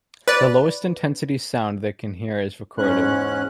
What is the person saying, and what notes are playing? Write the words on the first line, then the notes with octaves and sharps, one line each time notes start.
The lowest intensity sound they can hear is recorded.
B4 D5
E2 G#2 C#4 F#6